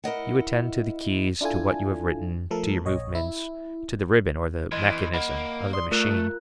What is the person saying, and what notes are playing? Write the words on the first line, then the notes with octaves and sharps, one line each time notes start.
You attend to the keys, to what you have written, to your movements, to the ribbon or the mechanism of the machine.
E4 A#4 D#5 F#5
D4 E4 F4 A4 G#5
F3 A3 A4 A#4
A#1 C#5 D#5
E4
E2 E3 D#5 C6 G#6
A#3 D#5 F#5 B5
D5 C6 D#6
A3 F4 A#4 F#6